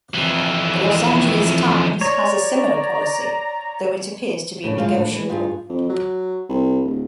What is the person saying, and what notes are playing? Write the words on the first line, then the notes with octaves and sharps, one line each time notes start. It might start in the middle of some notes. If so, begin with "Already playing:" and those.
The "Los Angeles Times" has a similar policy, though it appears to be negotiable.
F2 E3
C#5 D5 A#5
D2 A2 C#3 D4
F#2 C#3 G#3 F4 D#5 F5
A2 D4
E3 G#3
G2 F4 G#4
F2
F#3
C2
D1